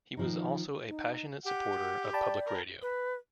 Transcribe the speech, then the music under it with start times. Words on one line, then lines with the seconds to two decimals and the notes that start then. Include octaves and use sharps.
He was also a passionate supporter of public radio.
0.17 D#3 F3 D#4
0.87 D#4
1.45 G4 F#5
2.13 D5 G5 A5 B5
2.46 A#4
2.82 B4